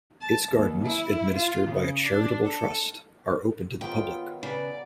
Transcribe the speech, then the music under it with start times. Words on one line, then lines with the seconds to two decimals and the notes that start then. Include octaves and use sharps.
Its gardens, administered by a charitable trust, are open to the public.
0.22 A5
0.53 D#2
0.84 E4
1.36 F4
1.68 C#3
2.05 D4
2.45 A4
3.81 D#3 F#3 B3 F4 G5
4.43 C#3 B4 D5